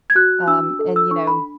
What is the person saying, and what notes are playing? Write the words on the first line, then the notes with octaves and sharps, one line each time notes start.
Um, and, you know,
G#6
F#4 F#6
D4 E6
A4
E6
D4 C#6
B5